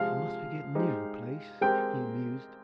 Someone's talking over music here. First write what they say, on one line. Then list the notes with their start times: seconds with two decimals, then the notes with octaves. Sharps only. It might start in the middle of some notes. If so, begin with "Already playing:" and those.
"I must be getting near the place," he mused.
Already playing: C3 F3 G#3 F5
0.75 G#3 D#4 G4 C5
1.61 G#3 C4 G4 A#4 G5